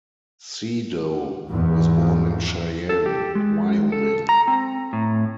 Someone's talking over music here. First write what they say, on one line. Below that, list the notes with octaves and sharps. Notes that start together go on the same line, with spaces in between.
Siedow was born in Cheyenne, Wyoming.
E2 G#2
A4
G4
G#3
A4
A#5
C4
A2